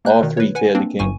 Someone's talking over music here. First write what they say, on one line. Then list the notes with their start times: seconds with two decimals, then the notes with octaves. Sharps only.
All three failed the king.
0.05 A#3 F#6 G6
0.20 B2 D#3
0.37 B4 C#5
0.55 B4 F#5 G#5
0.75 A#3 C4 D4
0.99 G1 G2 G#5 C#6 D#7